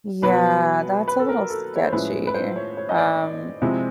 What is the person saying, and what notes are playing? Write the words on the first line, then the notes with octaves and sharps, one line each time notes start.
Yeah, that's a little sketchy. Um,
B2 F#3 B3 B4
B4
A4
A#4
A4
C#5
C5
A2 F3 G#3 C#4 E4 B4
B4
C5
C#5
C#5
D#5
D5
C3 F3 G#3 C4 E4